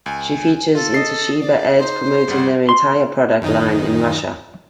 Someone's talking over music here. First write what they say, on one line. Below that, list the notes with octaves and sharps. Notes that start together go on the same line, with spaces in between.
She features in Toshiba ads promoting their entire product line in Russia.
C#2 G#5
F4 A4
D#5 C7
D5
D#4 C5
G1 G3 F#5
C6
F#2 D#3 D#4